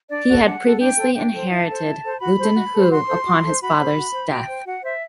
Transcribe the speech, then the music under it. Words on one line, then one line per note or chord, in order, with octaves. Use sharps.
He had previously inherited Luton Hoo upon his father's death.
D4 D5
F#4 A4
D4 F#5
F#4 A4
D4 G5
A4 C5
D4 G5
A4 C5
E4 A5
A4 C5
E4
A4 C5
F#4 B5
A4 C5
F#4
A4 C5
F#4 C6
A4 C5
F#4
A4 C5
F#4 B5
C5
F#4
C5
F#4 G5
C5
F#4 F#5
C5 E5